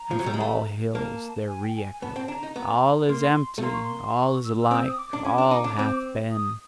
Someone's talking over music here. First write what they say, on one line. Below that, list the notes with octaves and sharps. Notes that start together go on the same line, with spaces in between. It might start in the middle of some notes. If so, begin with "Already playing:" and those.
And from all hills there re-echoed: 'All is empty, all is alike, all hath been!'
Already playing: A#5
F3
F#3
G3
G#3
A3
A#3 A5
G#5
G5
G#5
G#5
B3 A5
C4
A5
D4 A#5
D#4
B3 A#5
A#3 C6
A3
A#3 C6
C#6
C6
C6
C#6
E6
C4 D#6
E6
D#6
D6
D4
C#4 D6
D4
D#4
D4
C4
D#6